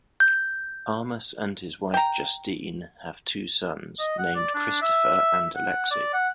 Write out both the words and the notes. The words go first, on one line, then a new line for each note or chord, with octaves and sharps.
Armas and his wife, Justine, have two sons, named Christopher and Aleksei.
G6
G5 A#5
D#5
F#5
D5
D4
E5
F#5
D5
F#5